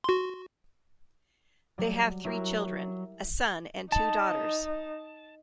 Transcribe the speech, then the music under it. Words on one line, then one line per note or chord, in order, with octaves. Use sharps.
They have three children - a son and two daughters.
F#4 C6
F#3 G3
F#3 E4 G4 A#4
D#4 A5